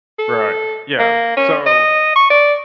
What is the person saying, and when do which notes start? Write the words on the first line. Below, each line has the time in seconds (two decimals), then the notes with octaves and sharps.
Right. Yeah. So,
0.19 A4
0.99 A#3
1.37 C#4
1.66 D#5
2.16 C#6
2.30 D5